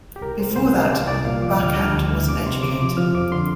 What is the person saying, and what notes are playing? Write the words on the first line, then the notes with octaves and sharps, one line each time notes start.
Before that Bachand was an educator.
G4
C2 A#4
G3 C5
C2 C5
G3 F5
C2 D5
C2 D5
A#2 F5
F3 D6
D2 F6
D6
G3 F6
D2
D2
C3 D6
C3 C6
C3 D6
F3 D6
F3 F6
F2 D6
D3 C6